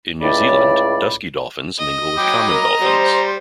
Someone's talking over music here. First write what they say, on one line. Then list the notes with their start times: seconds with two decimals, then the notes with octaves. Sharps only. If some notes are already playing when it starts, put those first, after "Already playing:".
In New Zealand, dusky dolphins mingle with common dolphins.
0.21 C#2 A2 C#3 D5 B5
1.79 D#5
2.18 F#3 G5 B5 D6
2.50 A#4 A#5
2.81 G3 C5